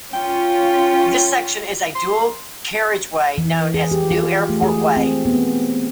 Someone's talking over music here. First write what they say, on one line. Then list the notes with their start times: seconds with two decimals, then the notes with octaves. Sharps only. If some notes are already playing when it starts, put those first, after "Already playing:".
This section is a dual carriageway known as "New Airport Way".
0.13 C#4 F4 G5
1.95 C6
3.38 E3
3.74 G#4
3.91 G4
4.11 F4
4.49 A3
4.62 G#4
4.97 C4
5.25 B3